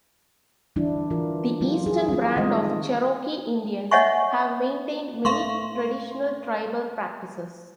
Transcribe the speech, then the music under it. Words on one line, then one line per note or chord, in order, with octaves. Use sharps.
The Eastern Band of Cherokee Indians have maintained many traditional tribal practices.
E3 G3 D4 E4
E3 F4 A#4
F#3 G3 F4
G3 G#4
G3 F4
D#3 G#3 A3 C4 D#5
C#5 D#5 E5 F#5 G#5 C#6
A3 F5 C6 C#6